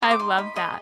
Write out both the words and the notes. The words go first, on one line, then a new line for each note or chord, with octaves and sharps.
I love that.
C5 D#6
D6
D#4 C6
D#5 B5
G#4 D#5